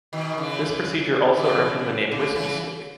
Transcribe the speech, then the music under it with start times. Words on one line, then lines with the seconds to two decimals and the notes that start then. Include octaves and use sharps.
This procedure also earned him the name "whiskey-stick".
0.13 B2 D#3
0.38 C#3 E3
1.37 C#3 E3
2.12 C#3
2.35 C#3 E3